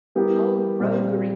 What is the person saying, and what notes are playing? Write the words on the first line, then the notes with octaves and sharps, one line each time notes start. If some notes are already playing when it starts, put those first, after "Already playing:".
Oh roguery!
G3 B3 E4 G4 A#4
A#2 G3 C4